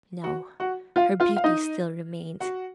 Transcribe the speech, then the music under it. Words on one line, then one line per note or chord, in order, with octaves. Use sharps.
No! her beauty still remained.
F#4 F#5
F#4 F#5
F4 F5
F4 F5
F5
D#4 D#5
F#4 F#5